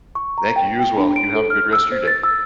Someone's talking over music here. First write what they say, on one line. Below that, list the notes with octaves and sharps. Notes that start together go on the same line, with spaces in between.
Thank you. You as well. You have a good rest of your day.
C#6
A#5
G5
G5
D4
D7
A4
F6
E6
C5
A6
E6